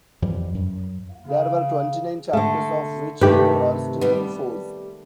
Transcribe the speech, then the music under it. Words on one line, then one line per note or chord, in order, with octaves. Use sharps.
There were twenty-nine chapters, of which four are still in force.
F2 E3 G3
F#2
C#3
D3 A3
G2 C3 D#3 A3 G4 B4
G3 B3